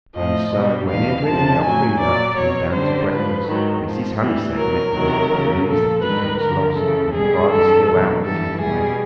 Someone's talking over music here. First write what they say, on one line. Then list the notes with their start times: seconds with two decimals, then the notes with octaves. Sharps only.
And so, when Edred and Elfrida came down to breakfast, Mrs. Honeysett met them with the news that Dickie was lost and their father still out looking for him.
0.15 A2 F3 D#5
0.52 B2 G3
0.88 E2 B2 G3 F5
1.25 F2 C3 F3 A5
1.62 A2 F#3 G#5
1.99 A#2 F#3 D5
2.35 B2 F#3 C#5
2.72 F#2 D3 G3 C5
3.09 G#2 F3 B4
3.46 G#2 D#3 F#3
3.83 G#2 F3
4.20 A2 E3 G3
4.56 B2 F#3 A#4
4.93 E2 C3 D#3 F#3
5.30 E2 C#3 F#3
5.67 A#2 F3 A4
6.03 G#2 D#3 G3 B4
6.40 G2 D3 F3 A#4
6.77 F#2 C#3 E3 A4
7.14 B2 G3 G#4
7.51 F#2 D#3 G3 A4
7.87 E2 B2 F#3
8.24 G2 E3 G3 A4
8.61 B2 G3 G#4